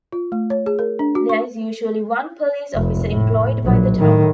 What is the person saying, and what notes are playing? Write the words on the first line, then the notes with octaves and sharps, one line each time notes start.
There is usually one police officer employed by the town.
F4
A3
C#5
G#4
A#4
D4
F#4
C#6
F1
A2
A#1 F#3
A2 D#3